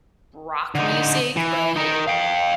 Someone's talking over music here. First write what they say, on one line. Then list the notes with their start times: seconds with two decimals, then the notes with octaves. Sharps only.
rock music, but,
0.75 D3 D#4
1.37 E3
1.76 D#4 A#4
2.07 F5 G5